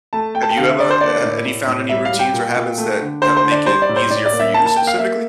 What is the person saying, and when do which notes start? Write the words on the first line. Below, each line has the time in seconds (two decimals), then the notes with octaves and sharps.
Have you ever eh, have any found any routines or habits that he make it easier for you, specifically?
0.13 A3 A5
0.35 A3 G5
0.43 A5
0.50 G5
0.57 D3 F5
0.68 E5
0.79 D3 D5
0.90 C5
1.01 A#3 D5
1.24 A2
1.45 A2
1.67 A2
1.89 G3 E5
2.05 F5
2.13 G3
2.19 G5
2.34 A#2
2.56 A#2
2.78 A3
3.01 D3
3.22 D3 C5
3.37 C5
3.45 D3
3.51 D5
3.66 G3 C5
3.82 D5
3.89 A2
3.96 C5
4.10 A2 D5
4.26 D5
4.32 A#3
4.40 E5
4.54 A#3 A5
4.66 A5
4.76 A#3 G5
4.87 F5
4.98 A#3 E5